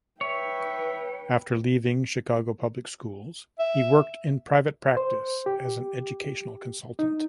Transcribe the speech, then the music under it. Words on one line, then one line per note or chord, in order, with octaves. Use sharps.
After leaving Chicago Public Schools he worked in private practice as an educational consultant.
B4 C#5 E5 G5
E5
C5
G4
D#4